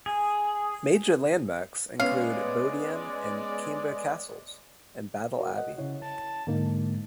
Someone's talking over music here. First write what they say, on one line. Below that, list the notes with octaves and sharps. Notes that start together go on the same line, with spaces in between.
Major landmarks include Bodiam and Camber Castles; and Battle Abbey.
G#4
G#3 B3 C#4 D5 F5
F#4 A#4 C#5
D#5 F#5
C#3 E4 C#5
A5
G#2 D3 A#3 D#4